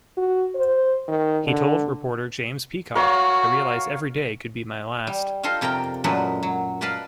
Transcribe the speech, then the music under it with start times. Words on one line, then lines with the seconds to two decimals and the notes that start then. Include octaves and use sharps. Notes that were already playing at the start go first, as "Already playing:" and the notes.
He told reporter James Peacock, I realise every day could be my last.
0.17 F#4
0.55 C5
1.08 D#3
1.45 D3
2.95 F#4 A#4 C#5 F5
5.07 G3
5.43 F4 A4 C5 D#5 F5
5.61 F2 C3 A#4 D5 G5
6.04 F#2 A#2 F#3 G#3 A3 B4
6.43 F#3
6.81 B4 D5 D#5 F5 A5 B5